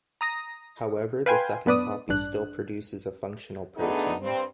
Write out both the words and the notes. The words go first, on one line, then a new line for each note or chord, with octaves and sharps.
However, the second copy still produces a functional protein.
A#5 D#6 A#6
B4 F5 G5 G#5 C6
F#2 B3 D4 B4 D5 D#6
A1 G2 D4 F#6
D3 A3 B3 D4 D#4 G#4
G2 C4